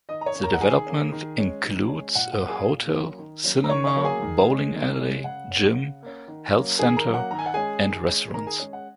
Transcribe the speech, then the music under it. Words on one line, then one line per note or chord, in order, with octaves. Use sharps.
The development includes a hotel, cinema, bowling alley, gym, health centre and restaurants.
D#3 D#5 D#6
A#5
C#5 C#6
A#3 C#4
A#4 A#5
F#5
D#3 G#4 G#5
A#3 C#4
D#3
G#3 C#4
D#3
G#3 C#4
A#2 F#5
F#5
F#3 A#3 C#4
G#4 G#5
A#2
F#3 A#3 C#4
D#3
F#3 A#3 C#4
A#5
D#3 C#5 C#6
C#5 C#6
F#3 A#3 C#4
G#4 G#5
D#3
G#3 C#4
D#3
G#3 C#4
C#3 F#5
A#3 C#4
C#3
A#3 C#4
D#3
F#3 A#3 C#4
D#3 G#4 G#5
A#4 A#5
F#3 A#3 C#4
F#5
D#3 A#5
G#5
F#5
G#3 C#4 G#4 G#5
D#3
G#3 C#4
D#3 A#4 A#5
G#4 G#5
G#3 C#4
F#5